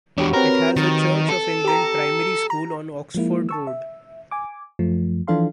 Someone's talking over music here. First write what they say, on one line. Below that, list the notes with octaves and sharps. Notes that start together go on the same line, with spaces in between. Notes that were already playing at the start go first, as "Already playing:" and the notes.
It has a Church of England primary school on Oxford Road.
E2 D4 F#4 G4 C#5
C4 A#4 B4
D#3 A6
A4
G4 A#5
A#5
F3 G#3 A#3 E4
A5 C#6 E6
E5
G#5 D6
F#2 F3 A3
E3 F3 D4 A4 F5 C6